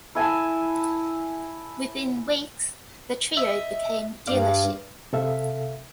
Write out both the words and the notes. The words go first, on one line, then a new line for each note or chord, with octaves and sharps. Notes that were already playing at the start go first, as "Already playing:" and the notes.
Within weeks, the trio became Dealership.
E4 G#5 A5
D#5 E5
G2 D5 F5
C3 A4 E5 F5